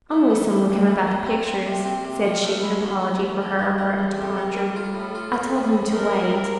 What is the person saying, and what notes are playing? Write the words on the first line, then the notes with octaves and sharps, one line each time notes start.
'Only some one come about the pictures,' said she, in apology for her abrupt departure: 'I told him to wait.'
A3 E4
E3
A3
E3
G2 A3
E3
A#3
A3
A#3 C4
C4
C3
C4
C3
F3
A3
E4
D3
A3
E2
D3
G3 G4
G3
E2
C3 A4
G3
A#4
G3
F4 A4
A2
F4
F4
A2
A2
A3 A#4
A3
G2